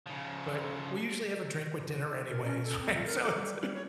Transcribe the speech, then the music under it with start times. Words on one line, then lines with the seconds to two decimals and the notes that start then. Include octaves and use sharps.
but we usually have a drink with dinner anyways, right? So it's,
0.07 C#3 F3
2.29 A#4
2.45 C#4
2.64 A4
2.81 C4
2.95 F4
3.06 A#4
3.22 A4
3.36 G3
3.59 G3
3.74 C#5